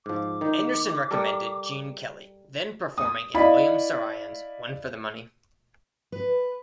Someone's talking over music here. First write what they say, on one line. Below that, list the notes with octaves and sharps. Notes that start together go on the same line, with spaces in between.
Anderson recommended Gene Kelly, then performing in William Saroyan's "One for the Money".
G#2 F3 D6
D#3 D#4
G3 A4 A#4
D#6
E4 D5 D#5 F5 B5
B4